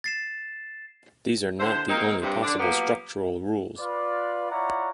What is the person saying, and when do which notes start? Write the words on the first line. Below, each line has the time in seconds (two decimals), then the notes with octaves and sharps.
These are not the only possible structural rules.
0.04 A6 C7 E7
1.59 D#2 D3 E4 C5
1.89 A#3 C4 D#4
2.22 G2 C3
2.42 D3 D4
2.59 F3 F#3 A#3 B3 G4 A#4
3.79 F4 B4 D5
4.51 E4 F4 C#5 D5 F#5 A#5